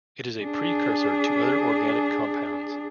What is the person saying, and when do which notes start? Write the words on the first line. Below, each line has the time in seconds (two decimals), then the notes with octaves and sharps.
It is a precursor to other organic compounds.
0.44 D4 G#4